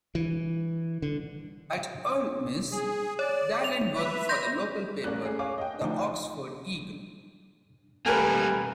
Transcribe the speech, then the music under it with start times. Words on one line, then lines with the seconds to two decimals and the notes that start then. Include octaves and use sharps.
At Ole Miss, Dallen worked for the local paper The Oxford Eagle.
0.15 E3
1.02 D3
2.72 G#4
3.19 C#5 D5
3.64 F7
3.95 B4 E5
4.29 C6 G6 A#6
5.04 A1 A#3 C#4 D5 F#6
5.24 A3 G#4
5.39 C#5 F5 G#5 D6
5.58 D#5 G5
5.81 D2 F3 D#4
8.06 G3 A3 A#3 A#4 B4 G#5